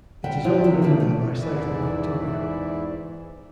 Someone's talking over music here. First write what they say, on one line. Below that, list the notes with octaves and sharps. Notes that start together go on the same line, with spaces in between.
It is owned and run by Cycling Victoria.
G3 E5 F#5 G5
D3 E3 F3 D4 E4 F4
C3 E4
A#3 D4 E4 F4 E5
A3
E2 G#2 E3 E4 D5 E5